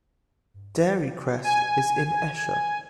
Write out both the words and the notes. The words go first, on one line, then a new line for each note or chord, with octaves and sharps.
Dairy Crest is in Esher.
G#5